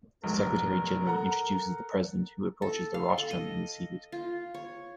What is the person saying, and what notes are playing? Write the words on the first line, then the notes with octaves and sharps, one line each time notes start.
The Secretary General introduces the President, who approaches the rostrum and is seated.
F1 B1 A#4
A4 F#5 A#5
A4
F5
A4
D#5
F4
C#5